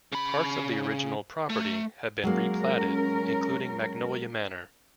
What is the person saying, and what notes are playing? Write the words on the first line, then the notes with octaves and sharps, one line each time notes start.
Parts of the original property have been replatted, including Magnolia Manor.
C#3 B5
A3
F#3 G#3 A#3 C#4 A#4